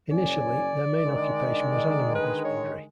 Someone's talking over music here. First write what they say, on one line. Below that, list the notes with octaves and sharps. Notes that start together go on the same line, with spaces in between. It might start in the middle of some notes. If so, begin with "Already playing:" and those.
Initially, their main occupation was animal husbandry.
F#1 C#4 D5 G#5
D3 D#3 G#3
B4
C#5